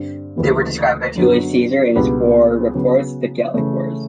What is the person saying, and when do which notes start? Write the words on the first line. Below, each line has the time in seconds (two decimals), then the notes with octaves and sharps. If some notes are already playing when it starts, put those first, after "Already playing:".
They were described by Julius Caesar in his war reports, "The Gallic Wars".
Already playing: G2 D3 C4
0.36 D2 C#3 E3 G3 A#3
1.16 F#2 D3 F#3 B3
1.95 C#2 B2 G3 B3 D4
2.74 C#3 F#3 B3
3.54 C#3 E3 A3